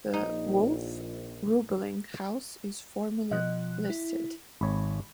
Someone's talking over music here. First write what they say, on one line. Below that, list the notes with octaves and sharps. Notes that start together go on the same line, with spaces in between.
The Wolf-Ruebeling House is formerly listed.
A#1 D#4
B2 F3 D#5 F#6
E4
G#1 C#5 B5